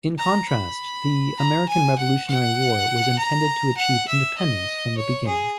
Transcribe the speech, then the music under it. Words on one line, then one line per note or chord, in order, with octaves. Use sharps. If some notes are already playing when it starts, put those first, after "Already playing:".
In contrast, the American Revolutionary War was intended to achieve independence from the beginning.
A#5
B5
A#5
G#5
F#5
F#5
A#5
F#5
E5
D#5
C#5
G#4